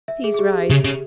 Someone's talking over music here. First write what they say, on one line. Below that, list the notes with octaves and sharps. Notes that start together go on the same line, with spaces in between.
Please rise.
E5
G#4
G#4
G4
C#3
C#3